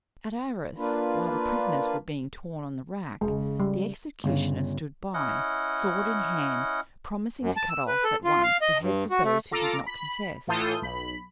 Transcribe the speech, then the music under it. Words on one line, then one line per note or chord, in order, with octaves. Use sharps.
At Arras, while the prisoners were being torn on the rack, the executioner stood by, sword in hand, promising to cut off at once the heads of those who did not confess.
A#3 D4 F4 B4
E1 C#3 G#3
G3
G1 C#3
C#4 E4 D#5 F#5
F#2
A5
E6
B4
A4
F4
F5
D#5
G2
F#4
A3
F4 A4 A#5 D6
B5
A2 E3 F4 A4 D#6 G6
B1 B5